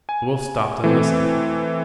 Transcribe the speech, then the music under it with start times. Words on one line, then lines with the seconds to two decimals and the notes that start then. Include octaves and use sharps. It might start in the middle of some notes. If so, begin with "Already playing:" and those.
The Wolf stopped and listened.
0.09 G#5
0.84 E3 A3 C4